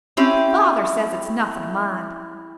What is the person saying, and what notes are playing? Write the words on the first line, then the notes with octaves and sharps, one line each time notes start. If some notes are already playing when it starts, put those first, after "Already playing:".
But father says it's nothing to mind.
C4 C#4 E4 G4